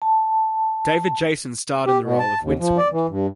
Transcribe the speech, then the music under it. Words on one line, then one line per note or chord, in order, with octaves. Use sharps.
David Jason starred in the role of Rincewind.
A5
G4
B2
A5
D#2
F3
D5
E3
G2